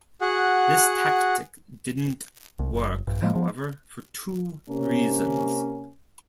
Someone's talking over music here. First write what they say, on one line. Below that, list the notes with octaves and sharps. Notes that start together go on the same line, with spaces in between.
This tactic didn't work however, for two reasons.
F#4 G#4 F#5
C2
F#1
A#1 G2
A2 F3 G#3 A#3
F3 B3
C3 A#3 C#4